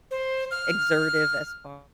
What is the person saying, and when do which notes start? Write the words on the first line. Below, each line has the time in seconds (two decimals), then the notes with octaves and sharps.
exertive, as far
0.11 C5
0.51 F6